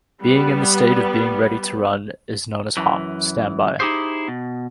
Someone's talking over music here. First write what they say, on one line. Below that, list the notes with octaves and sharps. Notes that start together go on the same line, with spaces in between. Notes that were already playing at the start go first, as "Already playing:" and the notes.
Being in the state of being ready to run is known as hot standby.
G3 B3
F#2 E3
D#4 E4 G4 G#4 C5
B2